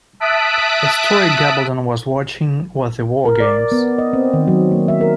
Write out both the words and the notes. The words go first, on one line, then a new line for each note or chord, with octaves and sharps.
The story Gabaldon was watching was "The War Games".
E5 A5 D#6 F#6 B6 D7
A#4
D5
B3
D#5
C4
D#3
F#3
A#3
E5
A#4